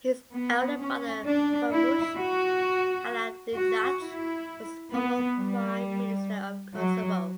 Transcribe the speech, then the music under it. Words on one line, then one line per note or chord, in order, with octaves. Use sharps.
His elder brother Ramush Haradinaj was former Prime Minister of Kosovo.
B3
C#4
D4
E4
F#4
F#4
E4
B3
G3
F#3